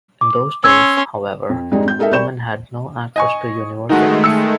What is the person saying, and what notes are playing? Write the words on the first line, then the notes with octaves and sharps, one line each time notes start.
In those days, however, women had no access to universities.
D6
C#4 C6 E6 G#6
F2
F2 G#2 G3 G#3 D4 D#4
G#1 G6
G#3 D#4 A4 A#4 E5
C2 D5 B5 C#6 G6 E7
D#5 G#5 C#6
D#3 G#3 A3 D#4 F#4
E6 C#7